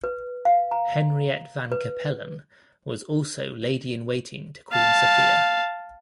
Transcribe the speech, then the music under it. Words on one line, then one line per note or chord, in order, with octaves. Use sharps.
Henriette van Capellen was also lady-in-waiting to Queen Sofia.
B4
F5
A#5
B4
F5 A5